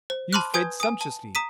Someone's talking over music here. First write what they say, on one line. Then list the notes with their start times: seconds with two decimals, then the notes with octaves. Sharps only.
You fed sumptuously.
0.10 C5
0.33 A5 B5 C6 D6 F6 F#6
0.54 B4 G#5 D#6 G6 G#6
0.80 G#5 D#6
1.01 A5
1.35 A#5 D#6 B6 D#7